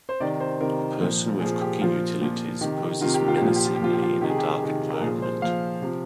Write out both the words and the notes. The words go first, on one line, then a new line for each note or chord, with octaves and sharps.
A person with cooking utilities poses menacingly in a dark environment.
C5
C3 D#3 D5
C5
C3 D#3 A#4
A#2 F3
A#2 F3 G#4
G4
A#2 F3 F4
A#2 F3
C3 D#3 G4
C3 D#3 F4
G4
F4
G4
A#2 F3
F4
G4
F4
G4
A#2 F3 F4
G4
F4
C3 D#3 G4
G#4
G4
C3 D#3
A#4
A#2 F3 G#4
C5
A#2 F3 F5
C3 F3